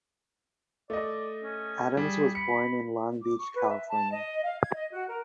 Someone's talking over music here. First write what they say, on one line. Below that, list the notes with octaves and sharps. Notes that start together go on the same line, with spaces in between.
Adams was born in Long Beach, California.
A3 D5 D#5
C#4
G3 G#4
B5 C#7
D6
C#6
B4
E5
A5
D#5
F5
G#6
D#5
F#4
A#4